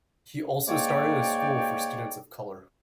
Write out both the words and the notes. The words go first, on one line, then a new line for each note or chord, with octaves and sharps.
He also started a school for students of color.
G#2 A#3 C#5 D5 G5